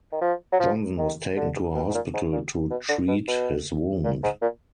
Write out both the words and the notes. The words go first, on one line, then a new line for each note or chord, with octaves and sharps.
Johnson was taken to a hospital to treat his wound.
D#3
F3
F#3
F3
D#3
D3
B2
G#2
A#2
G#2
A#2
B2
D3
B2
B2
A#2
G#2
A#2